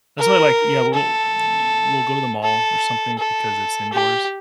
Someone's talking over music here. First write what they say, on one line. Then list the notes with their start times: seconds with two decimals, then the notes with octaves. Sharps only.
that's why I like yeah, we'll, y we'll go to the mall or something because it's indoors.
0.19 A#4
0.94 A4
2.43 A4
3.19 A4
3.93 G4